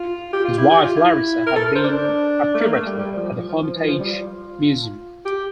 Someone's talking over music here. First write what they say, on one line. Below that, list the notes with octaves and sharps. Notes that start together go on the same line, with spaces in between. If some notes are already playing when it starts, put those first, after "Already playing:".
His wife, Larissa, had been a curator at the Hermitage Museum.
Already playing: F4
G4
F4
E4
G4
F4
E4
A#4
A4
A#4
C5
D4
A3
A#3
A3
G3
G3
F3
F3
F3
F3
E3
F3
G3
F4
G4